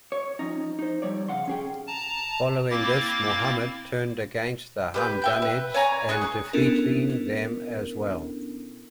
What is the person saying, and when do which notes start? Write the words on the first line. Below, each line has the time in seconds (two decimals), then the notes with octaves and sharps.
Following this, Muhammad turned against the Hamdanids and defeating them as well.
0.12 C#5
0.39 F3 C#4 D#4
0.79 D#4 C5
1.02 F3 G3 C#5 D5
1.29 C#3 F5 F#5 C6
1.48 C#4 G#4 G5
1.87 A5 A#5
2.71 A#3 C4 E4 D6 A6
4.94 G4 B4 G6
5.22 E4 G5 G6
5.42 B4
5.74 C#5 D5 G#5 A#5
6.09 G#4 C#6 F#6
6.53 B3 C#4 D4 E4 A4 A#4